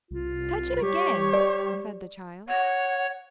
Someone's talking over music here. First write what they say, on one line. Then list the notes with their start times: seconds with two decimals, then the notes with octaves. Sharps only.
"Touch it again," said the child.
0.11 C2 F4
0.82 G3 G4 C#5
1.33 D5
2.49 C#5 F#5